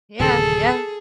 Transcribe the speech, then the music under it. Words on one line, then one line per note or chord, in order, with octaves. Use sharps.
Yeah, yeah.
D1 C3 D#3 G#4 A4